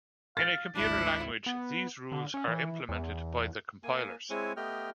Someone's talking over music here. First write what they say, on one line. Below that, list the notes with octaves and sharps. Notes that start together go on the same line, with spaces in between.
In a computer language, these rules are implemented by the compilers.
F5 A6
G#1 D2 D4 E4
B3
D3
C#4
E3
E2
A#3 G#5
G#3 C4 E4 C#5 G#5
A3 B3 G4 D#5 G5 F6